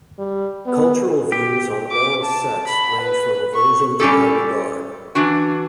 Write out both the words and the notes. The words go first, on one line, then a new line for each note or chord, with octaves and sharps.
Cultural views on oral sex range from aversion to high regard.
G3
B3
G4
D6
A5
B5
B4
C#6
G3 C#4 G4 A4
E3 D4 F#4